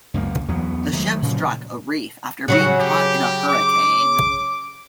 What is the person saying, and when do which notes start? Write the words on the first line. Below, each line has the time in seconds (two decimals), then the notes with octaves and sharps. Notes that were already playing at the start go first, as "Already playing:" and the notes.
The ship struck a reef after being caught in a hurricane.
0.14 C#2 F#2 F#3 A#3
0.48 E2 F#3 B3
0.93 D#3 F#3 G#3 A3
1.22 A#2 C#3 F3 F#3
2.48 C#3 F#3 F#4 F#5
2.80 G4
3.49 D6